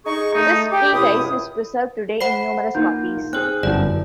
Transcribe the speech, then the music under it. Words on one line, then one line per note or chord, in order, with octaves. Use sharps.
This treatise is preserved today in numerous copies.
D#4 G#4 C#6
A3 D#4
G4
C#2 F#2 C3 E4 D#6
C5 F#5 B5 C7
A#3 D#4 F4 A#4 G6
C4 G#4 C5 F#6
G1 F#2 E4 D5